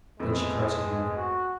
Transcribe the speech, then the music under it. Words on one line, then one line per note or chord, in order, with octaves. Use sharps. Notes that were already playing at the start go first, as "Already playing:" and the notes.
Then she cries again.
F2 G#3 A3 B3
F#4